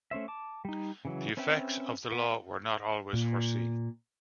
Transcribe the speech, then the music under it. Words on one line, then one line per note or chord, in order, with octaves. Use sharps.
The effects of the law were not always foreseen.
A3 C#4 C5 E5
A5 D6
G3 D#4
C#3 E3 F#3
C4 C#4 B4 E5 G5
B3 B4
A#2